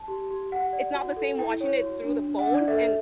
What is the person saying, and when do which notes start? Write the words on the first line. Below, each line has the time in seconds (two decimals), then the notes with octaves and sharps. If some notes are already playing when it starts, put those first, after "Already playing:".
it's not the same watching it through the phone and
Already playing: A5
0.08 G4
0.31 G4
0.51 G4 F#5
0.73 D5
0.95 F#4
1.17 A4
1.38 E4 G5
1.61 C#5
1.82 F#4
2.04 D4
2.24 D4
2.39 F#5
2.47 D4
2.54 D5
2.68 A4 E5